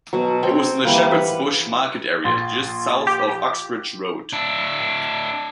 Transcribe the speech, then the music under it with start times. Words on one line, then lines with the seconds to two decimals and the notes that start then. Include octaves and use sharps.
It was in the Shepherd's Bush Market area just south of Uxbridge Road.
0.13 B2 F#3
0.43 C4 C#5 G5
0.85 E3 G3 A#3
1.11 B4 F#5
2.24 A#1 C6 A6
3.07 G4
4.33 D4 E4